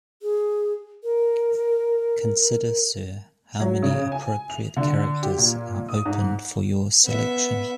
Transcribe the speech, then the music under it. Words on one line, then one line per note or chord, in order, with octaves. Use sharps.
Consider, Sir, how many appropriate characters are open for your selection.
G#4
A#4
F#3
C#3
G#5
F7
D3
G4
A#2
D#6
G#2
B3 E5